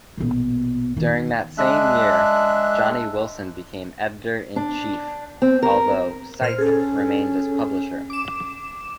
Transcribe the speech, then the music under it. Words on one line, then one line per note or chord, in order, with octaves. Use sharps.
During that same year, Johnny Wilson became editor-in-chief, although Sipe remained as Publisher.
A#1 B2
D#3
G#3 D4 E5 F#6
D4
C4
A#4
A#2 C5 F6
C#4 G#4 A4
D6 E7